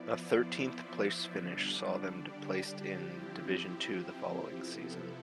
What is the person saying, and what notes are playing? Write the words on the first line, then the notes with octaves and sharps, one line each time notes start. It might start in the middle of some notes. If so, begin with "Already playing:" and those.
A thirteenth-place finish saw them placed in Division Two the following season.
Already playing: F3 B3 E4 D5
C5
E5
D3 G3 D4 D5
G4
F3 C4 E4 G4
G4
C3 F3 B3 E4 A4